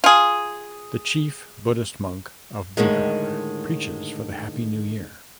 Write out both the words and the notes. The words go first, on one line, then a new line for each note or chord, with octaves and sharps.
The chief Buddhist monk of Bihar preaches for the happy new year.
F4 G#4
A2 D3 D#3 G#3